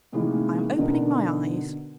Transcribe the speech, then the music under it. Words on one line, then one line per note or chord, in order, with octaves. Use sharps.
I am opening my eyes.
A2 C3 D#3 E3 G#3 A#3
B2 D3 D#4 A#4